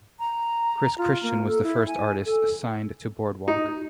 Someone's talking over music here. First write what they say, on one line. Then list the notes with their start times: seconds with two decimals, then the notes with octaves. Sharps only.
Chris Christian was the first artist signed to Boardwalk.
0.19 A#5
0.98 F4
1.23 A#3
1.47 A4
1.63 E4
1.88 G#5
2.25 A4
3.48 D#4